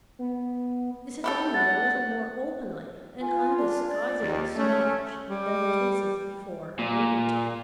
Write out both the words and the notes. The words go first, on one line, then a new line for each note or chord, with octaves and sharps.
This is only a little more openly and undisguisedly snobbish than the cases before alluded to.
B3
E4 G4 A4
F#5 A6
F4 G#5
D4
D5
D#2
A3 C#4
G3
A#2